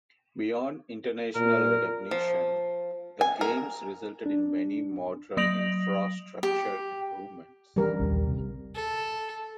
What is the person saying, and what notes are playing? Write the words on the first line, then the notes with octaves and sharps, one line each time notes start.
Beyond international recognition, the Games resulted in many modern infrastructure improvements.
A#2 A#4
F3
G#5
A#4
D4
F#3 D#6 A#6 D7 F7 F#7
G4
E3 G3 C#4 A#4
A#1 D#2
C3
A4